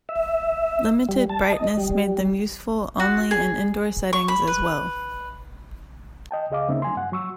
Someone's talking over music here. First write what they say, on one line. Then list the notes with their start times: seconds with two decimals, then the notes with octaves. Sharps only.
Limited brightness made them useful only in indoor settings as well.
0.09 E5
1.09 G3
1.29 A5
1.53 D#5
1.77 G3
3.00 F#4
3.31 G#4
4.13 C#6
4.28 B5
4.47 B4
6.31 D#5 G5 A5
6.50 C#2 C#3 G#4 D#5 F5 D6
6.68 D2 C#3 A#3 C4 D#4 E5
6.82 F#3 G#5 C6
6.96 G2 F#5
7.12 F#3 C#6 E6